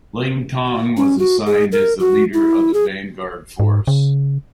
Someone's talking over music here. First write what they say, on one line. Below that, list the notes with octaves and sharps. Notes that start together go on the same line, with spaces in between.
Ling Tong was assigned as the leader of the vanguard force.
C#4
F#4
G#4
A#4
F#4
E4
G#4
G#2
C#3